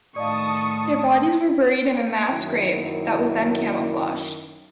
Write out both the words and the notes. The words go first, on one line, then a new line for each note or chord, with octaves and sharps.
Their bodies were buried in a mass grave that was then camouflaged.
A2 D#3 D5 D#5 F5 A5 C#6 D#6
F#2 D#3 E4